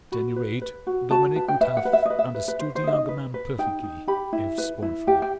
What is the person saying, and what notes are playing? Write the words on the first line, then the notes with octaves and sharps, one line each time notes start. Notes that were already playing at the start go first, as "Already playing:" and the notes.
At any rate Dominic would have understood the younger man perfectly--if scornfully.
F#4 B5
B4
B4
F#4
F#4 A5
B4 A5
G5
B4 E5
F#5
B4
E5
B4 D#5
E5
B4
B4
B4 C5
C5
D#4 E5
D#5
B4
B4
D#4 G5
D#4
G4 B5
E4
B4
E4
G4 G5
G5